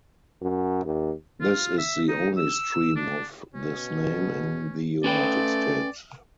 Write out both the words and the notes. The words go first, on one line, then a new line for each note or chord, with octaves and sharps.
This is the only stream of this name in the United States.
F#2
D#2
F4
E5
D#4
E6
D4
B2 C#4
A3 C#4 B4 D5 G5